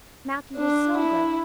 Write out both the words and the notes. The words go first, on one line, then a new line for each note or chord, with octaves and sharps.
Matthew was so good.
D4
E4